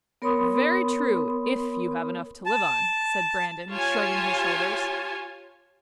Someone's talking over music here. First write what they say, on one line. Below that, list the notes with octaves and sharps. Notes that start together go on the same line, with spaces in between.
"Very true, if you have enough to live on," said Brandon, shrugging his shoulders.
B3 A#4 C#5 B5 C6 D#6
A5
F4 G4 C#5 G#5 A5